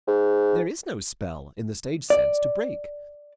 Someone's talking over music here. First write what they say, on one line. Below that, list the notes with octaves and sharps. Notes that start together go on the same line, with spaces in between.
There is no spell, in the stage sense, to break.
G#2
D5